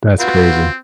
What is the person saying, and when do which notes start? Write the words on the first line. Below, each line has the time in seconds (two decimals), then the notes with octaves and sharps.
That's crazy.
0.20 C4 F4 F#4 B4